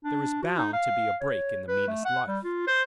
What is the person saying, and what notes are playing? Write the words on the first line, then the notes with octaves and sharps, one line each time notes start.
There is bound to be a break in the meanest life.
D4
F#4
D#4
F5
C#5
B4
A3
F#5
G3
F4
C5